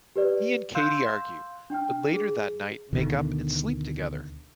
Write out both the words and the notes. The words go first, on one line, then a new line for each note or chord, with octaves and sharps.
He and Katie argue, but later that night make up and sleep together.
G4 B4 D5
F5 C6 E6 F#6 G6 E7
D4 G5 F6
G#4
D2 B2 D3 D#3